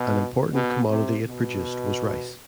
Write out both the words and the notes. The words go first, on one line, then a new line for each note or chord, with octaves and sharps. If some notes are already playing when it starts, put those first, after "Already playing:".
An important commodity it produced was rice.
Already playing: B2
B2
C3
B2